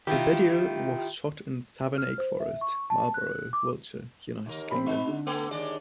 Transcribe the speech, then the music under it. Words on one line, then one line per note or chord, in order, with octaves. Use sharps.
The video was shot in Savernake Forest, Marlborough, Wiltshire, United Kingdom.
D#3 E4 F4 G4
F6
C5
E5
C#6
A5
F#6
D6
D#2 A#4
C4 B5
G#3 D#4
D3
A3 B3 A4
D#2 G#3 D5